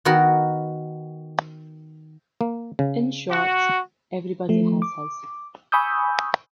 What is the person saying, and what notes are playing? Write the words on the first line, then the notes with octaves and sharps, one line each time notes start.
In short, everybody has his.
D#3 B3 F#4 A#4
A#3
C#3
F#4
F3 A3
D6
G#5 B5 C#6 D#6 E6 G6